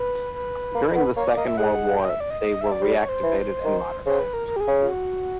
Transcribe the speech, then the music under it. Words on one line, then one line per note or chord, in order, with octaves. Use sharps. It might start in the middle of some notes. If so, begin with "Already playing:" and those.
During the Second World War they were reactivated and modernised.
Already playing: B4
B4
A#3
B3
A#3 C#5
D5
A#3 D#5
E5
G#3 F#5
G5
D#5
E5
D5
D#5
D#5
D#5
E5
D5
G3 C5
D5
C#5
C5
E3
D#3
C#3 C5
B4
A#4
A#4
G4
G#4
C#3
F4
F#4